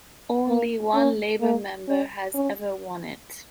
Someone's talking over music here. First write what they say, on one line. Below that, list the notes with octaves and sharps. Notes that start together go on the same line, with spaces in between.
Only one Labor member has ever won it.
A#3
C#4
A#3
C#4
C#4